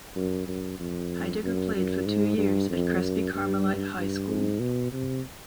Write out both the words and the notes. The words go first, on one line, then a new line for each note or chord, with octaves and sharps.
Heidegger played for two years at Crespi Carmelite High School.
F#2
F#2
F2
F#2
F#2
G#2
G2
F2
F#2
G2
G2
G#2
B2
C3